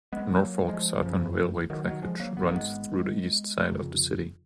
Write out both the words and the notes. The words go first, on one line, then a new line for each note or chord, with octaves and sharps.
Norfolk Southern Railway trackage runs through the east side of the city.
G#3 B3
F#3 A#3
F3 G#3
F#1 F#2 C#3 F3
D#3 F#3
D#3 F#3
F3 G#3
F#3 A#3
G#1 G#2 B3
A#3
G#3 B3
F1 F2 C#3